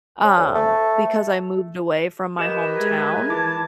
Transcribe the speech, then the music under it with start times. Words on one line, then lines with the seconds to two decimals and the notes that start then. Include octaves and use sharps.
um, because I moved away from my hometown,
0.24 C#4
0.38 D2
0.55 A3
2.39 G4 A#4 B4 D#5 G6 E7
2.77 G#3 G#4 E5 G#6
3.30 E3 E4 A5 D6